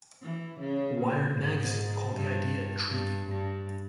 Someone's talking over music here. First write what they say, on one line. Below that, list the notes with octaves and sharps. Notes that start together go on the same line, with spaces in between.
"Wired" magazine called the idea "intriguing".
E3
C#3
A#2
G#2
G2
G2
G2